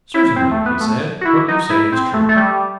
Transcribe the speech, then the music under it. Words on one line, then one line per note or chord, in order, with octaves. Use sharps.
Certainly, he said, what you say is true.
E4
C4
A3
B3
A3
F#4
E4
D#4
E4
C4
A3
A3
G3